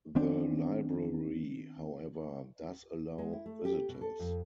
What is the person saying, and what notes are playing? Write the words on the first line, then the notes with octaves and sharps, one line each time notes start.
The library, however, does allow visitors.
D#3 B3 C4 D4
G#3
E4
A3
G4
B2
A4
F2